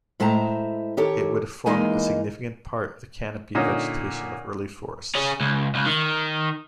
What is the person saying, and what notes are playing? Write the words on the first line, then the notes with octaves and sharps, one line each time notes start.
It would have formed a significant part of the canopy vegetation of early forests.
A2 G#3 C5 E5 A5 A#5
D#3 G4 A4 C#5
E2 E3 G#3 A#3 D#4 G#5
A#2 D3 C#4 D#4
C#4 G#4
C#2
C#2
D#3